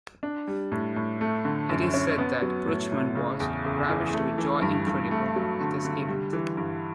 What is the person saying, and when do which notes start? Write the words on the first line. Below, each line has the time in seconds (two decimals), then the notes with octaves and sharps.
It is said that Richmond was "ravished with joy incredible" at this event.
0.23 D4
0.48 G3
0.72 A2
0.96 A2
1.21 A3
1.45 D3
1.69 F#2
1.94 C#4
2.18 B3
2.42 F#3
2.67 A2
2.92 A2
3.15 C#3
3.40 E2
3.65 F#1
3.89 E3
4.14 A3
4.38 E3
4.62 G2
4.87 G2
5.11 A3
5.36 F#3
5.60 D3
5.85 D3
6.09 G3
6.33 E3
6.57 G2